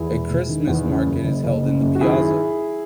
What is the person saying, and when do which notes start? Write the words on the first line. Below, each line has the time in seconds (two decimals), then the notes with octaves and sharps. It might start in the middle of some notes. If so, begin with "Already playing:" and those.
A Christmas market is held in the piazza.
Already playing: E2 E4 G#4
0.11 E1
0.30 E1
0.49 D#3
0.67 E2
0.87 C#3
1.06 F#2
1.24 F#1
1.44 F#1
1.63 C#3
1.82 F#2
1.95 F#4
2.01 D#3 E4 G#4